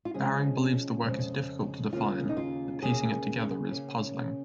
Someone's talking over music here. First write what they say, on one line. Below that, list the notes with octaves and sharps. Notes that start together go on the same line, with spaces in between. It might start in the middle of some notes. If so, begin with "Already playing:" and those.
Bowring believes the work is difficult to define, that piecing it together is puzzling.
F4
C#3 F3 G#3 C#4 G#4
F2 C#3 G#3
D#2 C#3 A#3 C#4 F4
D#4
F4
D#2 C#3 A#3 C#4 G#4
C#3 A#3 C#4